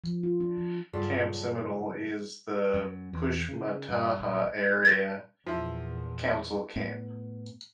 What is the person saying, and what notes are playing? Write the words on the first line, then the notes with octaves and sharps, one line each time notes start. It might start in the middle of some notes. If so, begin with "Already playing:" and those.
Camp Seminole is the Pushmataha Area Council camp.
F3
F4
D4
F3
G2 C#3 F#3 F4 A4 D5
F#2
E2
C#3
G2
A#1
E2 A#2 F3 E4
A2 B3